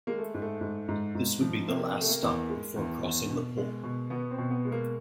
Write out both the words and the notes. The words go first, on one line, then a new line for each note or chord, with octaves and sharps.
This would be the last stop before crossing the pole.
G#3 A#3
A3
G#2
A3
G#2
G#2
G#2
F3
C3 A#3
C3
A3
A#3
E2
G#3
E2
E2
B2
G#3
B2
B2 B3
C4
B2
B3
G#3
A#3